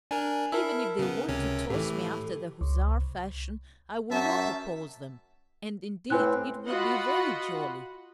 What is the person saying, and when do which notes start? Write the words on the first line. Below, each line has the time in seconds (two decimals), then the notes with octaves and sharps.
Even if they want to toss me after the Hussar fashion I will not oppose them, and indeed it would be very jolly!
0.11 D4 A#4 G#5
0.52 E4 A#4 A5 E6
0.99 C#3 B3
1.28 C#2 C3 C#4
1.70 A2 E3 G4 A4
2.61 C#2
2.88 C2
4.11 F#2 E5 A5
6.10 A2 C4 B4 G#5 F#6
6.67 F4 F#4 D#5 F#5 B5